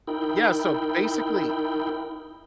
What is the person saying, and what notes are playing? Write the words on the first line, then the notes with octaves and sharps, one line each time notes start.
Yeah, so basically
D#4 E4 A#4 G5 B5